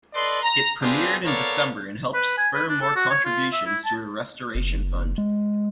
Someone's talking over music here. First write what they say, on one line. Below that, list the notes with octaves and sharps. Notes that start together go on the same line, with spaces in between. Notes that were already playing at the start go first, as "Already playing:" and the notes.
It premiered in December and helped spur more contributions to her restoration fund.
A4 B4 D5 D#5 C6
A#5
B3 C4 D4 F4 G4 G#4
B3 A4 A#4 C#5 D5 F5
B4
G#5
B4
D4
A4
F#4
C#5
F4
E5
E4
A5
F#1
G#3